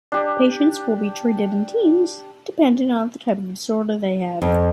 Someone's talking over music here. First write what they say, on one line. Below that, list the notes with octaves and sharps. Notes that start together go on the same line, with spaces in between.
Patients will be treated in teams, depending on the type of disorder they have.
D4 G4
F2